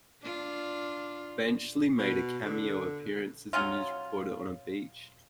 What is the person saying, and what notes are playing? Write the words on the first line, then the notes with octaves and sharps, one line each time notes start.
Benchley made a cameo appearance as a news reporter on the beach.
D4 F4
B2
D3
F#3 C#4 F4